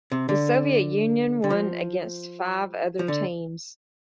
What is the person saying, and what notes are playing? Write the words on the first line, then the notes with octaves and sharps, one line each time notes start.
The Soviet Union won against five other teams.
C3
D3
D3
F3
F3
D3